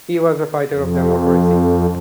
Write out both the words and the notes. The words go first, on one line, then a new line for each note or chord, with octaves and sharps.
He was a fighter of democracy.
F2